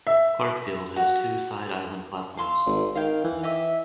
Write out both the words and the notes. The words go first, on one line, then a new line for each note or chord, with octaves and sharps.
Clarkefield has two side island platforms.
E5
F#4
F5 C6 E6
G#1
D#3 F5 G5
E3
D#5 E5 D6